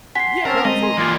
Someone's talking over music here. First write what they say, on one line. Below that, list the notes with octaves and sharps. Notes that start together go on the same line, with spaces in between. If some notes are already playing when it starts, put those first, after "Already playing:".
Yeah, no, absolutely.
F#5 G#5 C6 B6 C7
C4 C#4 A#4 A5
G#3 C4 D#5 A#5
A#4 G#5 C6
E3 A#3 F4 D5 F5